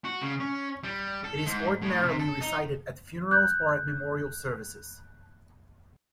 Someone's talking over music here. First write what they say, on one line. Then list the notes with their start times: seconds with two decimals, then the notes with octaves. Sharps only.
It is ordinarily recited at funerals or at memorial services.
0.05 F#4
0.22 C#3
0.40 C#4
0.83 G3
1.24 A4
1.46 G#2
1.82 A2
2.03 C3
2.19 A4
2.41 D#4
3.31 F#6 G6